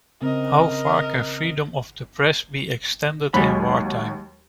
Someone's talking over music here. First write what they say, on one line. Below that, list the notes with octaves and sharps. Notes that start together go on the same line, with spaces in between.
How far can freedom of the press be extended in wartime?
C#3 C4 A#4 D#5
D#2 F#3 G#3 B5